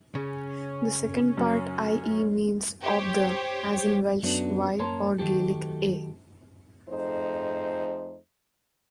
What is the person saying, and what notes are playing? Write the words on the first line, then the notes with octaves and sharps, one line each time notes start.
The second part "-ie-", means "of the", as in Welsh "y" or Gaelic "a"'.
C#3 C#4
F#2
G4 C5 C#5
F#2 F#3 A3 B3 D4
F#2 A#3 C#5 A5 A#5 C6
D#3 F#3 A3 G4 A4
F2 A3 D#4 G#4 C5